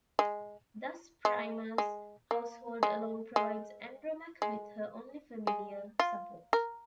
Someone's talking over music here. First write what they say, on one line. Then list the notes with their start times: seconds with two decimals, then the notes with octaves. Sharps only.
Thus Priam's household alone provides Andromache with her only familial support.
0.19 G#3
1.25 G#3
1.78 G#3
2.31 A#3
2.83 G#3
3.36 G#3
4.42 G#3
5.47 G#3
5.99 F4
6.53 A#4